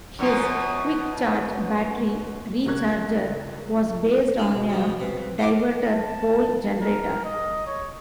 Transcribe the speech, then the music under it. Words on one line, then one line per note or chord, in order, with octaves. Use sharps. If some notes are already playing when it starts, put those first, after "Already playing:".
His "quickcharge" battery recharger was based on a diverter pole generator.
F#2 B2 F3
C#2 C#4 A#4 C#6 F#6 G#6
G#3 C#4 G#4
B2
C#3 F3
B2 C4 B4
F4 C5 D6
A5
A#4
D#5
C#5